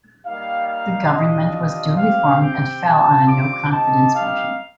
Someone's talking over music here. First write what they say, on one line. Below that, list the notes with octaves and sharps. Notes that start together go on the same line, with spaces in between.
The government was duly formed and fell on a no-confidence motion.
G3 A#3 D#4 G4 F5
F5
G3 D4 F4 D#5
D#5
C4 G4 F5
G5
G3 C4 F4 A5
D6
C4 D#4 G4 A5
F5